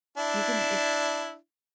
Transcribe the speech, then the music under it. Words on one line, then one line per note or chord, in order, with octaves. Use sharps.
you can if
D4 E4